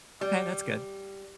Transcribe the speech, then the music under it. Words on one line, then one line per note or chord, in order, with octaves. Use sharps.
Okay, that's good.
G3